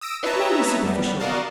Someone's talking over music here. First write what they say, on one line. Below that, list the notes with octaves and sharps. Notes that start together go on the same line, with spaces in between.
'It may be superficial.
D#6 E6 A#6 D7
B4 C#5 D#5 E5 A5 A#5
F#2 G3 B3
F#4 A#4 D5 D#5 F5 A5